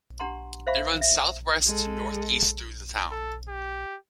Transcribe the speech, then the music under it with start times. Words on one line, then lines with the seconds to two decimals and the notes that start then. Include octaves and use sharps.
It runs southwest to northeast through the town.
0.20 D4 G4 F#5 A#5 C6
0.67 C5 E5 F5 B5 C#6
1.01 E5
1.66 G#3 A4
3.11 A4
3.48 G4